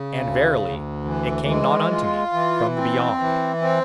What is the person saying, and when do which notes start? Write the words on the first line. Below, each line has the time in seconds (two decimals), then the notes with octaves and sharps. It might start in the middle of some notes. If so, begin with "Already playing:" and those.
And verily, it came not unto me from the beyond!
Already playing: C#3
0.19 D2
0.62 D2
1.05 E3
1.48 G#3
1.91 F4
2.33 E3
2.76 C4
3.19 E3
3.61 C4